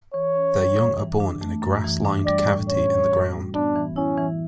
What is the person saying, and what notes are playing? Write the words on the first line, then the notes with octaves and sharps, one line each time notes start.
Their young are born in a grass-lined cavity in the ground.
E3 C#5
C#4
G3
F#2
E3
D4
A3
F#2
E3
D4
G3 D5
A2
C#4 C#5
G3
F#4
G3
B3 D4
E3
C#4 E4
E3